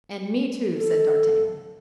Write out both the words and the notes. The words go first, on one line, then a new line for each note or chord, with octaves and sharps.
"And me, too!" said d'Artagnan.
A4